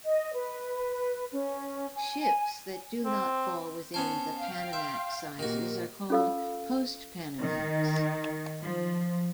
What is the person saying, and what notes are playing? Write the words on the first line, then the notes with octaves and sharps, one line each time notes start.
Ships that do not fall within the Panamax-sizes are called "post-Panamax".
D#5
B4
C#4
G#5
C4
B3 C#4 C5 A5
F5 G5
E5 C6
A#2 D#3 A#3 F#4 G4
C#4 F4 A4 F5 E6
D#3
F3